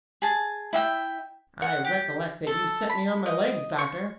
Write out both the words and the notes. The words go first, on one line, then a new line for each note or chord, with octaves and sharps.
"I recollect that you set me on my legs, doctor."
G#4 A5
E4 E5 G5
F#5
G4
A4
B5
D#5
C#6